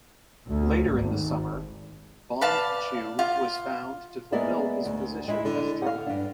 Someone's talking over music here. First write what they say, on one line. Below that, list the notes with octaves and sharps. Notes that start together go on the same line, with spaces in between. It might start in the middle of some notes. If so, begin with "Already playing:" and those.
Later in the summer, Bonb-Chu was found to fulfill his position as drummer.
D2
G#1
B4 D5 F5 A5
F4
G#3 A#3 B3 D5 E5
D2
G#3 E4
D3
F5 F#5
G2 D4